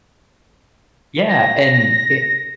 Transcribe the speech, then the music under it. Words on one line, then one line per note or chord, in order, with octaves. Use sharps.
Yeah, and it
A#6